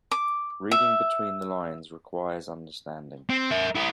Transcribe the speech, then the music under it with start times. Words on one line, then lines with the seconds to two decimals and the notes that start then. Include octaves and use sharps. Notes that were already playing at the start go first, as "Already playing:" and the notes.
Reading between the lines requires understanding.
0.11 D6
0.71 E5
3.30 C4
3.51 A#4 E5
3.75 E4 G4